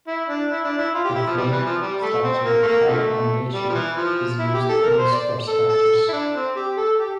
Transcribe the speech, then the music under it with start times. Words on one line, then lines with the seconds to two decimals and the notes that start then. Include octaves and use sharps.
A framed structure with pile foundation is used in the superstructures.
0.07 E4
0.28 D4
0.51 E4
0.64 D4
0.78 E4
0.94 F4
1.05 G4
1.15 E4
1.27 F3
1.37 G3
1.51 E3
1.65 F3
1.81 G3
2.02 A3
2.23 C4
2.45 A#3
2.62 A3
2.67 A#3
2.88 D3 F3 A3
3.54 G3
3.69 F3
3.75 E3
3.96 F3
4.39 E4
4.54 G4
4.69 A4
4.82 A#4
4.97 C5
5.11 D5
5.47 A4
5.68 A4
6.08 E4
6.12 D4
6.34 C4
6.56 G4
6.77 A4
6.99 G4